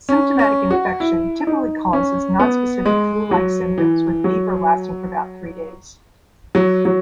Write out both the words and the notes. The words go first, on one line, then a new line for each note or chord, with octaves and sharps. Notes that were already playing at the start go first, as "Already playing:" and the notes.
Symptomatic infection typically causes non-specific flu-like symptoms with fever lasting for about three days.
C#4
C#4
F#4
E4
D#4
C#4
B3
G#3
F#3
E3
F#3
F#3
F#3